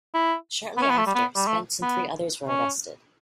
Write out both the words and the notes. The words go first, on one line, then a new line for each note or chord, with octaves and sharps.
Shortly after, Spence and three others were arrested.
E4
B3
C#4
B3
A3
G3
B3
G3
A3
B3
C#4